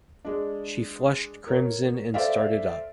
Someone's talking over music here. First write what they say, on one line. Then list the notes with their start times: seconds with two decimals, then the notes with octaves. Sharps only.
She flushed crimson and started up.
0.25 G#3 D4
1.47 A#4 C#5
2.14 A4 C5 D5 E5 F5